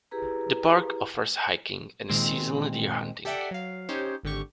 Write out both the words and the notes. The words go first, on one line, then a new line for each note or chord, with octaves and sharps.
The park offers hiking and seasonal deer hunting.
E4 G4 G#4 B4 A#5
A#2 D#3 G#3 C4
G4 A4 D5 E5 F#5 G5
F#3 F5
C#4 D#4 G4 C5 C#5
G#1 D3 G4 C#6